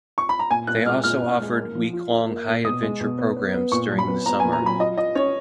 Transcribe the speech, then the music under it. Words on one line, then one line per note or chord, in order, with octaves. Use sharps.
They also offered week-long high adventure programs during the summer.
C#6
B5
A#5
A#2 G#5
A#2 F#6
G#3 F6
A#2 F6
A#2
G#3
A#3
F3
F4
F4
A#3
A#2
B2 D#6
G#3
B2
B3
B3
B3
A#2 C#6
F#3
B5
B3
B3 A#5
G#5
A#2
A#5
F#3 B5
F4 D#5
F4 D#5
C#4 C#5